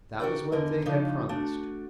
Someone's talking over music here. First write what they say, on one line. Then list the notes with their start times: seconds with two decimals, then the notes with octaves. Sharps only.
That was what they had promised.
0.20 F#4 A#4 B4 D5 G5
0.52 E2 D3 A#4 D#5
0.86 C#3 F3 D4 D#4
1.29 A3 D4 F#4